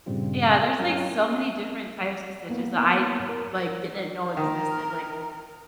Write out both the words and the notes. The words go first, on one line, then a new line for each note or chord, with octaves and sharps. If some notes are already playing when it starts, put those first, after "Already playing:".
Yeah, there's, like, so many different types of stitches that I, like, didn't know existed, like,
G2 A#2 C#3 G3 C4 F4
F#3 C#4 A#4 C#5 G5
C#4
A#3 B3 E4
A#4
D#3 A#4